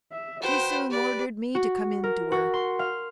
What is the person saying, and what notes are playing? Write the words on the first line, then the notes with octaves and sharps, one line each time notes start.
She soon ordered me to come in to her.
E5
F#4 B4 C5 G5
G4 B4 D5
F#4
A#4
F#4
C6
F5